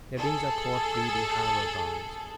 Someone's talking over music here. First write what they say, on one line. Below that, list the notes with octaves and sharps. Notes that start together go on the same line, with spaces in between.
Now these are Port Breedy Harbor bonds.
G#4 A4